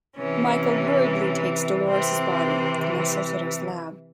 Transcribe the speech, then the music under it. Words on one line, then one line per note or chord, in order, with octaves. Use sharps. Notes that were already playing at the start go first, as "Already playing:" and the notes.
Michael hurriedly takes Dolores's body to Necessiter's lab.
C3 E3 C#4
C3 E3 C4